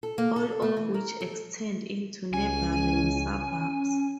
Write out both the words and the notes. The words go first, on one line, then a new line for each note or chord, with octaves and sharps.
All of which extend into neighbouring suburbs.
A4
A#3
A4
A3
E3
A#4
A4
C#2 C#4 G#5